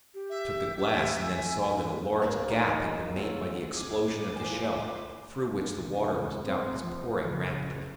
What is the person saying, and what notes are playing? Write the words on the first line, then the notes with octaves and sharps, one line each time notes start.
I took the glass, and then saw that a large gap had been made by the explosion of the shell, through which the water was doubtless pouring rapidly.
G4
E5
E5
G#5
C3 A#3 D4 A#4 B4
G2 D#3 F3 F#3 D#4
D2 F#3 C#4 F4 F#4 A4
F2 G#4 D6
A#2 D3 B4 C5 G#5
C#2
C4
F3
C#3